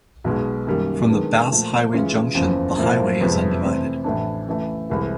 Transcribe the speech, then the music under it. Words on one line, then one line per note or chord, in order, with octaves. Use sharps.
From the Bass Highway junction, the highway is undivided.
B1 B2 G#3
F#2 D#3 G3 A#3
D#3 G#3 B3 D4
A#2 F3 A3
C#3 E3 G#3 C#4 F4
F#1 E2 C#3 F3
A2 F3 A#3
F2 C3 F3 G#3 B3
C3 E3 A3 C4
A1 A2 E3 A3 D4
C#3 E3 A3
C2 C3 E3 G#3